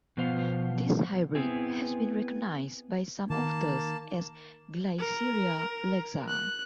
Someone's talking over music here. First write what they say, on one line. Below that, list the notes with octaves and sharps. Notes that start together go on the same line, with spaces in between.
This hybrid has been recognized by some authors as "Glyceria laxa".
B2 F3 B3 C5 F5
B3 C4 E4 G#4
D#3 A#3 A5
A#4
F#6